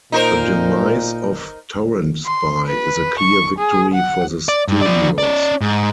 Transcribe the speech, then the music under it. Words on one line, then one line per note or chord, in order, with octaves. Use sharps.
The demise of TorrentSpy is a clear victory for the studios.
A#2 D#4 A#4 C5
C6
B4
C#6
G#4
F#5
D5
G2
F3 D5
C#4 D5
G#2